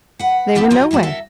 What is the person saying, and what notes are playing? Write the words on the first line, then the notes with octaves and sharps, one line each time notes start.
They were nowhere.
B4 F#5
B3 E4 G4 A4 B4
G#2 F3 F4 F#4 A#4 D#5
E3 G#3 B3 F#4
A4 A#4 E5